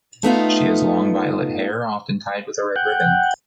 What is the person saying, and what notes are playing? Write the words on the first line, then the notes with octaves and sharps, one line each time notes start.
She has long, violet hair, often tied with a red ribbon.
A3 B3 D#4 F4
F#5 G5